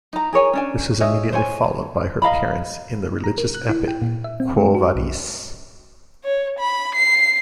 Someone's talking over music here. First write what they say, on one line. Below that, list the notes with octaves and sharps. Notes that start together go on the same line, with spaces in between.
This was immediately followed by her appearance in the religious epic Quo Vadis?
D#4 A#5
G#4 A#4 C#5 G#5
C#4 D4 G#5
G#4 C#5 D#5 E5
C5 C#5 G#5
D#5 F5 A#5 B5
A#5
A#4
F#6
E4
G5
A#2
E5
C4
G#3
F#4
B1
C#5
B5
C7